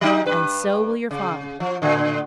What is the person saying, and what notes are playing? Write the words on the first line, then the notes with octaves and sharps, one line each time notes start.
"And so will your father."
F#3 G3 D#4
G2 B4
C#3
F3
A2 D3